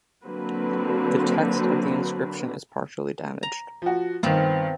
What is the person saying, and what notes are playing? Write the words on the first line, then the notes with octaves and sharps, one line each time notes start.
The text of the inscription is partially damaged.
D3 F#3 A#3 C4 F#4 B4
A#5
F3 F#4
G2 D#3 B3 C4 F4